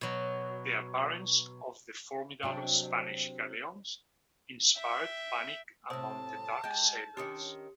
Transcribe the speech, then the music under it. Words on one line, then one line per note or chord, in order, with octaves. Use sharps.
The appearance of the formidable Spanish galleons inspired panic among the Dutch sailors.
B2 F#3
C3 F#3 D4
E5 G5
A2 C3 C5 A5 D#6 E6
G#3 G4 G6
D#3 C#4 D4 G4 D#6 C#7